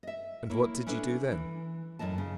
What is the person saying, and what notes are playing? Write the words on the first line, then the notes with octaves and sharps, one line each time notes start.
"And what did you do then?"
D#5 E5
A#3 E4 C#5
C#4 D4 E4 A4 B4
E3
F#2 A2 G#3 D#5 A5
C#3